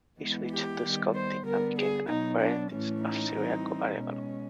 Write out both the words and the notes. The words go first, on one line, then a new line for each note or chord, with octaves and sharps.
He switch to sculpting and became an apprentice of Ciriaco Arevalo.
E3 G#3 B3
G4
D#3 G3 B3
C5
D3 G3 B3 A#4
G#4
B2 F#3 B3 D#4
D4
A2 E3 A3 C#4
D#4
E3 G3 C4
B2 G#3 C#4